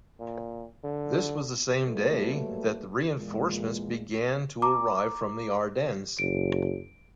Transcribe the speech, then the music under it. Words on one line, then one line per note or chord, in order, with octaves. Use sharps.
This was the same day that the reinforcements began to arrive from the Ardennes.
A#2
D3
F#3 G3 A3 A#3 A4 B4
E2 A#2 G#3
A#5 D6
F#1 D7